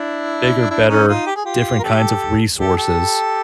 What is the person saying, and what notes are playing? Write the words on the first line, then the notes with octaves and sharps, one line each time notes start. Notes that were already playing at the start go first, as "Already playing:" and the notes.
bigger, better, different kinds of resources
Already playing: D4 E4
D4 E4
C#4 D#4
D#4 F4
G4
G#4
F4 G4
A#4
G4 A4
G4 A4
G4 A4